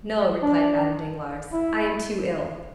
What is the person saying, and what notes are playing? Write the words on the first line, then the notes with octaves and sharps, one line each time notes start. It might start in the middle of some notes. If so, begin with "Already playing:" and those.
"No," replied Madame Danglars, "I am too ill."
D4
E4